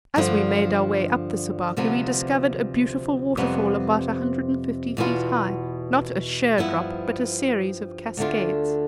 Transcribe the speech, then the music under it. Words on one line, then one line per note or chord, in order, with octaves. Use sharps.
As we made our way up the Sabaki, we discovered a beautiful waterfall about a hundred and fifty feet high--not a sheer drop, but a series of cascades.
G2 D3 F3
D2 C3 F3 B3
F2 C3 G3 B3
E2 B2 B3 F4
G2 F3 B3 E4
D2 D3 A3 D4 F4